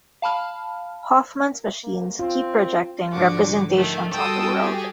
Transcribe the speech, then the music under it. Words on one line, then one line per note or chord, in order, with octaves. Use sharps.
Hoffman's machines keep "projecting representations on the world".
F5 A5 B5 F6
A#3
C4 F4
G#2 D3 F3 F#4 D6
D#3 A3
G3 F#4 A4 G5 A5 C6 D#6 E6
G4 G#4